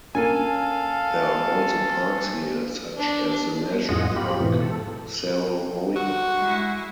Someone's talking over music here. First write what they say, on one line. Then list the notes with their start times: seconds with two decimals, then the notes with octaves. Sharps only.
There are also parks here, such as the national park Cerro Hoya.
0.15 A#3 C#4 A4 F5 G#5
2.97 D4
3.89 F2 A2 F4 G#4 D#5 F#5
4.16 F4 G4 B5
4.40 G#2 B2 E3
4.60 A4
5.96 F#4
6.36 G#3 E4